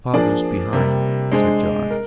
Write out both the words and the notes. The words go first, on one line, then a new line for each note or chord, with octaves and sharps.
'Father's behind,' said John.
F3 A#3 D4 G#4 D5
C3 G3 A#3
G#3 D4 G#4 C5
A#4